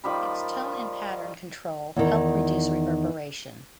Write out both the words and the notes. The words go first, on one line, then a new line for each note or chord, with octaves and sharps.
Its tone and pattern control helped reduce reverberation.
D#3 F3 G3 B5
E2 D#3